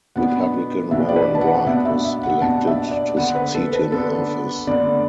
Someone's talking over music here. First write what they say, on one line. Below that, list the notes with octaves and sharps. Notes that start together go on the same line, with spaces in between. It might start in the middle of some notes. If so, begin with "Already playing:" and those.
Republican Warren Wright was elected to succeed him in office.
B2 B3 D4 F#5
B2 B3 D4 E5
D5
B4
A5
F#5
B2 B3 D4 E5
E5
E5
F#5
B2 B3 D4 A5
E5
D5
D3 B3 D4 F#5
B4
A4
B4
D3 B3 D4 A4
D3 B3 D4 D5